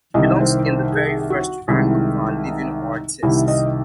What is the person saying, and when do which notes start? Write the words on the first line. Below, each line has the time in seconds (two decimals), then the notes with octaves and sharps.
He belongs in the very first rank of our living artists.
0.14 C2 C3 D#3 D#5
0.41 C5
0.66 C5
0.92 G#4
1.30 F#4
1.68 C2 C3 D#3 G#3 E4
2.46 D#4
3.23 C2 C3 D#3 E4
3.48 D#5